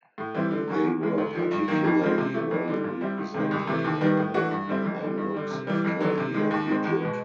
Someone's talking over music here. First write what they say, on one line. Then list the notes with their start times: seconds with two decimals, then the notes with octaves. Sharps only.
They were particularly well represented in the Mamluks of Turkey and Egypt.
0.18 A2
0.35 E3 G3 C4 E4
0.51 D3
0.68 F#3 A#3 C#4 F#4
0.84 E2
1.01 C#3 E3 G#3
1.18 D2
1.35 D3 F3
1.51 G2
1.68 D#3 F#3 A#3
1.84 F2
2.01 C#3 F3 G#3 C4
2.18 C3
2.34 E3 A3
2.51 F2
2.68 D3 G3
2.84 A#2
3.01 G3 C4 E4
3.18 C#2
3.34 C3 D#3 G#3
3.51 C2
3.67 C3 E3 A3
3.84 D#2
4.01 D#3 G3 B3
4.17 A2
4.34 E3 A3 D4 F#4
4.51 G2
4.68 D3 G3 C4 E4
4.84 F2
5.01 D3 G3
5.17 G2
5.34 D3 G3
5.51 C3
5.67 E3 G3
5.84 F2
6.01 D3 F#3
6.18 C3
6.34 D#3 G#3
6.51 D#2
6.67 D#3 G#3 C4
6.84 E2
7.00 B2 G#3 B3